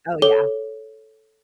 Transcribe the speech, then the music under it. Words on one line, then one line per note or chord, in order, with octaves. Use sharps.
Oh, yeah.
A4 C#5 D6 G7